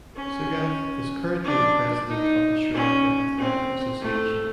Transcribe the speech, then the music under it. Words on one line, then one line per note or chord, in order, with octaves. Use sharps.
Sugath is currently the President of the Sri Lanka Athletic Association.
C#4
D4
D#4
C#4
C4
A3